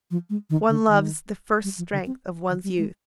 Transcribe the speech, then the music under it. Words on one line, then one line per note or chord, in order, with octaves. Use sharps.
One loves the first strength of one's youth.
F3
G#3
D#3
D3
D#3
G3
F3
D3
C4
D#3
G3
G#3